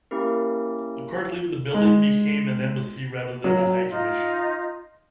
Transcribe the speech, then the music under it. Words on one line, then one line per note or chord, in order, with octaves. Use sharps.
Accordingly, the building became an Embassy, rather than a High Commission.
A#3 C#4 E4 G4 A#4
G#3
F#3
D#4 F4